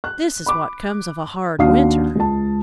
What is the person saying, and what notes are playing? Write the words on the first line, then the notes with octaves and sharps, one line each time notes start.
"This is what comes of a hard winter."
F#6
B5 D6
D#2 D4 F#4 F5 D#6 C7
C#2 A5